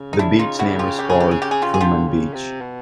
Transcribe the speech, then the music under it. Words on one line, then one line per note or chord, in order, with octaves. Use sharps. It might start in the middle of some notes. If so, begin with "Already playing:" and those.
The beach name is called Truman Beach.
Already playing: C#3
D#4
D4 E4
D#4 F4
E4 F#4
F4 G4
G4
G#4
G4
G#4
G4
G#4
F4 G4
G#4
D3 F4 G4
C#3
C3
B2